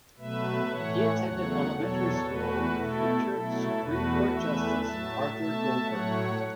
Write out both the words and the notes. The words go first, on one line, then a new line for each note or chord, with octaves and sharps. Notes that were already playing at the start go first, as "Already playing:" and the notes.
He attended elementary school with future Supreme Court Justice Arthur Goldberg.
B2 F#3 A3 B4 E5
A2 E3 A3 C#5 F#5
E2 C#3 F#3 A3 C#5 F#5
E2 B2 F#3 A4 C#5
E2 E3 A3 F#4 B4
B2 A3 E4 A4
B2 F#3 A3 E4 A4
E2 B2 A3 F#4 B4
E2 E3 A3 B4 E5
A2 F#3 A3 E5 A5
B2 A3 E5 A5
A2 F#3 A3 C#5 F#5